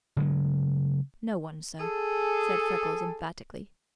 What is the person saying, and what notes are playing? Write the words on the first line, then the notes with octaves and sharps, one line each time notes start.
"No one, sir," said Freckles emphatically.
C#3 F#3 G#3 A3
G#4 A4